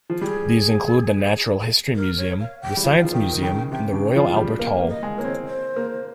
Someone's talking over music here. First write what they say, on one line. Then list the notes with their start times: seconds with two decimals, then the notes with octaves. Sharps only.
These include the Natural History Museum, the Science Museum and the Royal Albert Hall.
0.10 F3
0.21 G3 G#4
1.96 A#4
2.18 C#5
2.40 F5
2.62 G5
2.77 G3
2.84 F3 F5
3.05 F3
3.13 D#3 G5
3.32 D#3
3.42 C#3 G5
3.72 C3 G5
3.93 C#3
4.16 F3
4.36 G3
4.59 A#3 F5
4.81 A#3
4.88 D#5
5.03 G#3
5.17 A#3 C#5
5.25 C4
5.46 C5
5.76 A#3